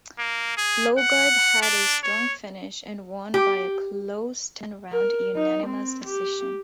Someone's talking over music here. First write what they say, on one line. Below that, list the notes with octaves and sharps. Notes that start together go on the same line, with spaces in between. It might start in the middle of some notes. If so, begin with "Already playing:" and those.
Logart had a strong finish and won by a close ten-round unanimous decision.
A#3
G#4
F#5
D4
C#5
G4
A#4
D#4
C4
G4